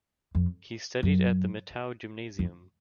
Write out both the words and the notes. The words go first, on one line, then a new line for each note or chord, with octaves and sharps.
He studied at the Mitau Gymnasium.
F2
F#2
F2